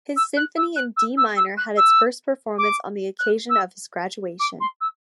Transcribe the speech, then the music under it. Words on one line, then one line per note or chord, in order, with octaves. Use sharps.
His symphony in D-minor had its first performance on the occasion of his graduation.
E6
F#6
E6
F#6
E6
E6
E6
F#6
E6
D6
F#6
E6
D6
C6
E6